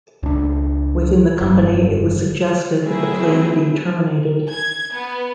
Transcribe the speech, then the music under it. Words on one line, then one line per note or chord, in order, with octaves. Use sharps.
Within the company, it was suggested that the plan be terminated.
C#2 D4
F1 G2
F#3 A3 C4 E4 G#4 E5
G#6
B3